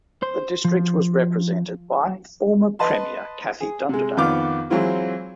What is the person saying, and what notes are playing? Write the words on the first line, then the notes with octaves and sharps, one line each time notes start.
The district was represented by former premier Kathy Dunderdale.
C5
F3
B4 D#5 A5 C6
G#4
C3 G#3
F2 D#3 B3 F4 D6 F6
E3 F#3 G#3 C4 E4 F4